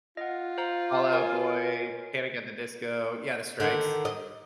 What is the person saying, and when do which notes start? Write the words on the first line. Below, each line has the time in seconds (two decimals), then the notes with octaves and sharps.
Fall Out Boy, Panic at the Disco? Yeah, The Stripes.
0.17 F4 D#5 F#5
0.58 C5 F5 A#5
1.13 A#4 C#5 G#5
3.60 D3 D#3
4.05 D#5